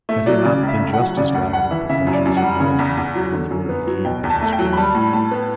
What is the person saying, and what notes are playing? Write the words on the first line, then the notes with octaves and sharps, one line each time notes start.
Had he not been just as loud in professions of loyalty on the very eve of his crime?
A3 E5
F#3 D5
C#3 D5
C#2
E5
A3
F#5
F#3
C#3 D5
D2 F#5
G3 F#5
E3 E5
C#3 E5
F#2
D5
F#2
F#5
G3
C#3
E2
E2
F#3
D3
F#2
B3
F#3
B2 G5
E2
A5
A3
G5
F#3
B5
G3 A5
A2
A2 A5
B3